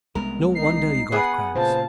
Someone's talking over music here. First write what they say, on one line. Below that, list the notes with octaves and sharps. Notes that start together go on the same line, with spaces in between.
"No wonder you got cramps."
C2 G#3 B3 A#4
D#4 C7
B3 G#4 B4 F#5
A#2 C#3 F4 C5 A5